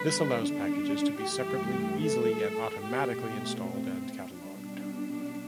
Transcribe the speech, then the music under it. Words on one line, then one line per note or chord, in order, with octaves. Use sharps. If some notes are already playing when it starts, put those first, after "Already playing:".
This allows packages to be separately, easily and automatically installed and catalogued.
Already playing: E2 D3 G3 B4
D4
G2 E3 A3 G4
A4
B2 A3 G4
G4
C4
B2 G3 D4